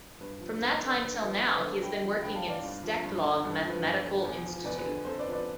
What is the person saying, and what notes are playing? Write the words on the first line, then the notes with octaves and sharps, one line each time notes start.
From that time till now he has been working in Steklov Mathematical Institute.
G2 B4
F3
G2 B4
B4
D3
B4 D5
D2 B4
A4
F3
B4
D2 B4
B4
D3 A4 C5
D2 G5 B5
F3
D2 G5 B5
F5 A5
D3
D5 F5
G2
F3
G2
D3
G2 A4
F3
B4
G2
D3
E2
F3
E2 B4 D5
B4
D3
F2 A4 C5
B4 D5
F3
B4 D5